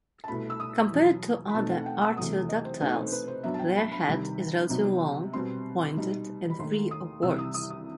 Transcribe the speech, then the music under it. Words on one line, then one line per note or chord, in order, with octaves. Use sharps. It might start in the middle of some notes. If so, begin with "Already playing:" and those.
Compared to other artiodactyles, their head is relatively long, pointed, and free of warts.
A5
C2 B2 A3 B5
E6
D#6
E2 B2 F#3
B5
B2 A3 C4 D#4 A5
F#5
G5
E6
E2 C3 F#3 A3 D#6
D#5
C5
B2 A3 C4 D#4 B4
C5
C5
B4
C5
G2 F#3 B3 E5
A5
G5
B5
B5
C3 D#3 G3
C3 F#3 B3 D#4
B2 G3 C4 C6
B2 G3 D#4
B5
D#2 D#3 A3 D#4 C6
D#6
C2 C3 E3 G3 C4 E6
D#6
D#6
D#6